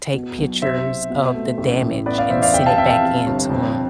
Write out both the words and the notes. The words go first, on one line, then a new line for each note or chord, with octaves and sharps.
take pictures of the damage and send it back in to 'em.
B2
B1
C3 C5 E5
C3
B2
A3
A1
A2
B3 B4 D5
D5 F5
E2 C5 E5
D5 F5
F1 E5 G5
F5 A5
F2 E5 G5
F5 A5
C3
G1
F2